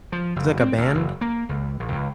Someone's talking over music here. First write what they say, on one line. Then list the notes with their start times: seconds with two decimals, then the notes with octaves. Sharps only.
It's, like, a band?
0.12 F3
0.36 F#1
0.60 C4
0.77 D2
0.95 F#1
1.21 A#3
1.49 C#2
1.80 A#1
1.92 C#2